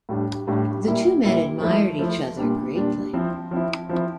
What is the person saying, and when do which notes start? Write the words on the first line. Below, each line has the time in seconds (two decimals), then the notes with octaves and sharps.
The two men admired each other greatly.
0.09 A2 G3 D4
0.47 A2 G3 D4
0.85 A#2 G3 A#3 E4
1.24 A#2 G3 A#3 E4
1.60 F3 A3 E4
1.99 F3 A3 E4
2.37 A#2 G3 D4
2.75 A#2 G3 D4
3.13 F3 C4 E4
3.51 F3 C4 E4
3.89 F3 C4 E4